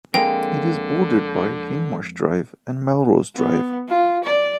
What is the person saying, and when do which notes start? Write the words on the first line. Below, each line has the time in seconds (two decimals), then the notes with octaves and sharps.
It is bordered by Hindmarsh Drive and Melrose Drive.
0.14 F2 D3 G#3 A#3 G5
3.35 B3
3.88 F4
4.24 D5